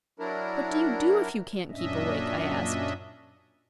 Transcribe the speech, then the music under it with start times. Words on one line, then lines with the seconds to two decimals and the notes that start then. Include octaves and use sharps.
"What do you do if you can't keep awake?" I asked.
0.19 F#3 D4 E4 A#4
1.71 F#2 A#2 C#4 D4 D#5 E5